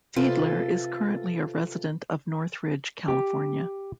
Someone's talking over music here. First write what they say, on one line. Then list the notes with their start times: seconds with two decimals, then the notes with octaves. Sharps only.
Fiedler is currently a resident of Northridge, California.
0.16 C3 F4 A4 B4
3.08 G4